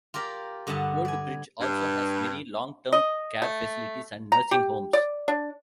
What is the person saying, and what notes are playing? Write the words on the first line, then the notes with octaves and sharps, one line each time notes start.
Old Bridge also has many long term care facilities and nursing homes.
F4 G4 A#4 D5
G2 D3 B3 F#5 A5
D5 G#5
G2
D#5
A3
A#5
G4
D5
D4